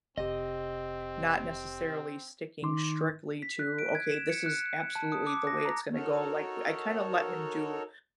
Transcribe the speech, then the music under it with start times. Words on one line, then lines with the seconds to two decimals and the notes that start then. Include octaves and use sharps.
not necessarily sticking strictly to, "Okay, this is absolutely the way it's gonna go," like, I kinda let him do
0.17 F1 C3 C4 G4 D#5
2.62 D#3 D#4 C6 D6
3.42 B6
3.59 F#6
3.79 D7
3.95 G#6
4.11 E7
4.29 C#7
4.46 F#6
4.95 A5
5.12 D#6
5.27 D6
5.47 A#6
5.65 A#5
5.93 D#4 F#4 A4 A#4 C#5